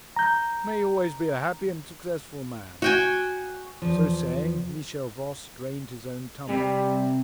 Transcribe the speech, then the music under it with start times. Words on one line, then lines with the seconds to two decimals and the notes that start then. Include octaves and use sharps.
May you always be a happy and successful man!' So saying, Michel Voss drained his own tumbler.
0.16 A#5 G6
2.82 F#4 G5 G#5
3.82 E2 F3
6.49 C3 G3